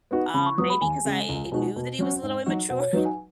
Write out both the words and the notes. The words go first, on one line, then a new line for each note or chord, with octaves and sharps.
Um, maybe 'cause I knew that he was a little immature and
B3 D#4 F#4
C#3 B5
C#6
F#3 B3 F#4 D#6
B5
D#2 G#5
C#3 G#3
C#2
B2 G#3 D#4 F#4
B2
F#3 C#4 F#4
G#2
F#3 D#4 F#4
B2 F#5
C#5
F#3 D#4 F#4 B4
G#5